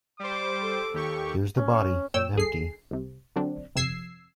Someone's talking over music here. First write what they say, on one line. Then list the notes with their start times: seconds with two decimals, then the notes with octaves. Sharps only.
Here’s the body, empty.
0.19 G3 C5 D6
0.62 A4
0.94 D#2 G4 C#6
1.57 C#4
2.14 F#2 A#2 C#5 G5 E6
2.35 G1 C2 G#4 A4 C7
2.91 C2 C3
3.36 D3 F#3 C4 D4
3.76 G1 F2 C3 E6 G#6 C7